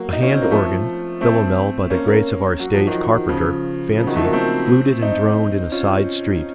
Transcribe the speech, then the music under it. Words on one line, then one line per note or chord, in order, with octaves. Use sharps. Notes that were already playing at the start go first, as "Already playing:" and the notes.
A hand organ--Philomel by the grace of our stage carpenter, Fancy--fluted and droned in a side street.
Already playing: F#3 A#3
D#4
C#4
C4
A#3
F3 A3
A3 C4
A#3 C#4
A#3 C#4
F#3
F3
D#3 F#3
C#3 F3
C#3 F3
D#3 F#3
F3 A3
F#3 A#3
A3 C4
C4 D#4
C#4 F4